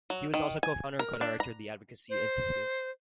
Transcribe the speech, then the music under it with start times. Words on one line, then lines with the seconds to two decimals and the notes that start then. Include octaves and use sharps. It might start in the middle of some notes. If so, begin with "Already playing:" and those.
He was also co-founder and co-director of the Advocacy Institute.
0.10 F#3
0.34 D#3
0.63 G#5
0.99 A#4
1.21 D4
1.40 A#5
2.10 C5